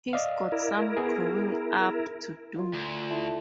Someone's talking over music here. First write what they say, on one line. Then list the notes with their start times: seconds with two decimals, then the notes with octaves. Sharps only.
He’s got some growing up to do.
0.13 D5 D#5 F5
0.52 E4 A#4
0.97 B3 G#4
2.56 F4 F5
2.73 D2
3.10 A3 E4